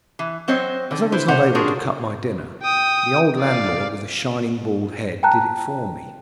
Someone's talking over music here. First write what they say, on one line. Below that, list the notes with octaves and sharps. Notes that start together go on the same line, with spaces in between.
As I was not able to cut my dinner, the old landlord with a shining bald head did it for me.
E3
F#3 C4 C5 C#5 D#5
D3
E4 B4 C5
C3 C5 C#5 F#5
D4 F4 F#4 G#4 A#4
G5 D#6
D5 F5
G5 A5 A#5 F#6